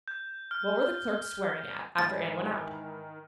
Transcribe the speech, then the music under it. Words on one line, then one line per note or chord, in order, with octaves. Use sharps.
What were the clerks swearing at after Ann went out?
G6
F6
G#2 D#3 E3 A5 A6